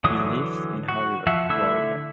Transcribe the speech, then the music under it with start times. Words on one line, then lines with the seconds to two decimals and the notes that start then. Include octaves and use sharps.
He lives in Hollywood, Florida.
0.04 D3 E3 F#3 D#6
0.88 F#4
1.27 F3 E5 F#5
1.49 D3 A3 E4 E5 E6